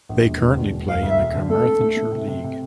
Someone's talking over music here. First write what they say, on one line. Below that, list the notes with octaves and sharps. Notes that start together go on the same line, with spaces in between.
They currently play in the Carmarthenshire League.
A#1
E1
E1
D3
E1
E1 F5
D2
E5
E1
D3
A3 A4
A3
A3
A3
C3
C3
C3